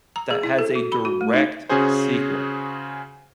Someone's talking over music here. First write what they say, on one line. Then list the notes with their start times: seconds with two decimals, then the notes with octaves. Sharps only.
that has a direct sequel.
0.16 A#5
0.31 G#4
0.43 E4
0.59 A4
0.75 F#4
0.92 B5
1.05 F#4
1.21 A3
1.33 D#4
1.69 C#3 C#4 F#4 G#4 C5